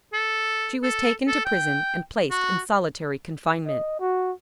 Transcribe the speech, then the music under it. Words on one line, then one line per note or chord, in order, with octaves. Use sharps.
She was taken to prison and placed in solitary confinement.
A4
A4
A4
G5
F#4
D#5
F#4